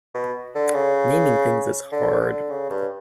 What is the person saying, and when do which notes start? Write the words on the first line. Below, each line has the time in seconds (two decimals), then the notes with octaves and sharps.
Naming things is hard.
0.15 B2
0.55 D3
0.74 C#3
1.92 D3
2.21 D3
2.50 C#3
2.70 G2